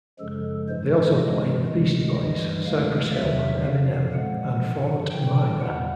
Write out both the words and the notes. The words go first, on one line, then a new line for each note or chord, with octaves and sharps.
They also played the Beastie Boys, Cypress Hill, Eminem and Fort Minor.
F#2 C#3 F3 G#3 A4
G#2 E3 G#3 C5
G2 E3 G#3 D#5
D2 C3 D#3 G#3
G2 E3 G3 D#5
D2 C#3 E3 G#3 F5
E2 C3 D#3 F#3 E5
F2 D3 F3 F5
A#2 F3 G#3 F#5
G2 D3 F3
A2 E3 G3 G5
E2 B2 G3 F#5